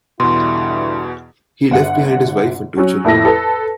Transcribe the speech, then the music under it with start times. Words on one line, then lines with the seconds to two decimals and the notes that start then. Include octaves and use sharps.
He left behind his wife and two children.
0.20 E2 G2 B2 D3 E4 C6
1.71 G1 F#5
2.77 F#3 C#4 F#4
3.04 F2 A2 A#3 E4 A4 A#6
3.25 A4 B4